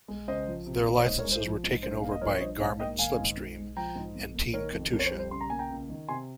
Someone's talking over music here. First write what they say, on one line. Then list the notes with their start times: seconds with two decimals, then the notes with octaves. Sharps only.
Their licenses were taken over by Garmin-Slipstream and Team Katusha.
0.08 G#3
0.28 C#2 C5 D#5
0.47 F3
0.66 C3
0.86 A#3
0.98 C#5
1.05 G#2 C5 D#5
1.19 A#4 C#5
1.24 G#3
1.31 C5
1.44 F3
1.64 G#2
1.83 G2 C5
2.01 A#3 F5
2.12 D#5
2.21 F3 A#4 C#5
2.35 C#5
2.41 G2 C5 D#5
2.60 G#2 C#5 F5
2.79 A#3 D#5 G5
2.99 D#3 F5 G#5
3.19 G#2
3.37 G#2
3.57 G#3
3.77 F3 G5 A#5
3.96 G#2
4.15 F2
4.34 A#3
4.54 D#3 A#4 C#5
4.73 F2
4.93 F2 A#4
4.99 C#5
5.05 C5
5.12 G3
5.19 C5
5.31 C#3 C6
5.41 A#5
5.50 A#3 G#5
5.59 G5 A#5
5.70 C#2
5.89 D#3
6.08 C3 G#5 C6